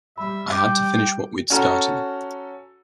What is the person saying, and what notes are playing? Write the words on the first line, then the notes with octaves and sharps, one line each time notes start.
I had to finish what we'd started.
G3 E5 B5
G5 D6
C#4 F#4 A4 A#5